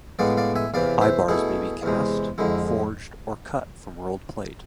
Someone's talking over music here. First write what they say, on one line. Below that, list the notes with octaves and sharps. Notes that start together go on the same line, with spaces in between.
Eyebars may be cast, forged, or cut from rolled plate.
A2 G#3 B3 D5 F5
D5 F5
E5 G#5
E2 C3 E3 D5 F5
C5 E5
B2 A3 E4 G#4
E2 C3 G#3
F2 D3 G#3 E4